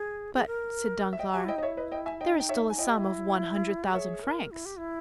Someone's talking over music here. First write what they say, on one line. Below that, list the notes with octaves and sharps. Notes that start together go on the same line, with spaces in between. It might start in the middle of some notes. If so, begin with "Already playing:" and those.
"But," said Danglars, "there is still a sum of one hundred thousand francs?"
Already playing: G#4
G#4
A#4
E5
D#5 G5
G4 E5 G#5
E4 D#5 G5
D#4 D#5
C#5 E5
E4
B4 D#5
D#5 G5
E5 G#5
D#4 D#5 G5
G5
C#5 E5
G#5
E4 D#5 G5
G4
E4
G4
G#4 A#4 C#5 E5
A#4
E4
G4
E4